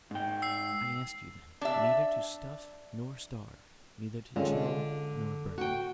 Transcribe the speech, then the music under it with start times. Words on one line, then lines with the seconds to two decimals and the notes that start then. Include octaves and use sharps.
I ask you, then, neither to stuff nor starve; neither to chill nor burn.
0.11 G#2 G5
0.42 E6 C7
1.61 D4 E5
4.36 D3 G#3 C#4 F4
5.58 F#4 G5